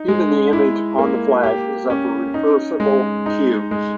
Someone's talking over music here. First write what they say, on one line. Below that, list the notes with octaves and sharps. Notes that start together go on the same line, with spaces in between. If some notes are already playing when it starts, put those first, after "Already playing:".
Even the image on the flag is of reversible cubes.
Already playing: D#4
G#3
E4
A#3
G4
C#4
D#4
G#3
D#4
G#3